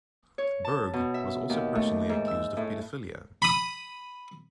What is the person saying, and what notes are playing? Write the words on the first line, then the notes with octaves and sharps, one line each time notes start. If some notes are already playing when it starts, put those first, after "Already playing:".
Berg was also personally accused of pedophilia.
C#5
A5
B2
E5
D#2
A3
G#2
E6
A2
B5 D#6